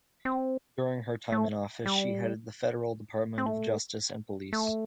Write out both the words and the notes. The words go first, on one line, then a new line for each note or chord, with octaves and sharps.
During her time in office she headed the Federal Department of Justice and Police.
C4
A3
G3
C4
A3
A3